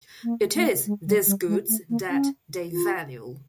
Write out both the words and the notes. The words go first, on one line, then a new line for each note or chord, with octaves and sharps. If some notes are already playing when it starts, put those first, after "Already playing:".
It is these goods that they value.
A#3
A3
G#3
G3
G3
G#3
A3
A#3
C#4
F4